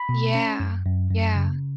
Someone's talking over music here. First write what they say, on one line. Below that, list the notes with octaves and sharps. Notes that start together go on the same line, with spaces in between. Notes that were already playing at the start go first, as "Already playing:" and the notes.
Yeah, yeah.
Already playing: B5
B2
C#4
F#2
F#2
F#2
C#3